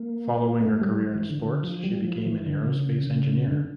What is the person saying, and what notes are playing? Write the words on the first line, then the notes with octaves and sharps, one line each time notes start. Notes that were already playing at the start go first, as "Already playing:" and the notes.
Following her career in sports she became an aerospace engineer.
Already playing: A#3
A3
G3
E3
D3
D3
F3
G3
F3
E3
D3
C#3
C#3
D3